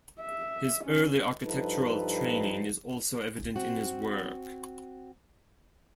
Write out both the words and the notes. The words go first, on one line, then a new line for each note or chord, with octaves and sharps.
His early architectural training is also evident in his work.
E5
C#4
G2 F3 D#4 A4 B4
C4 F#4